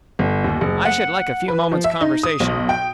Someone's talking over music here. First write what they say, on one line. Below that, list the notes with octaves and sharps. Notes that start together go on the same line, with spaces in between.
"I should like a few moments' conversation."
G1
D#2
F#1
F#5
B4
F3
E5
D#4
D#6
B1
G5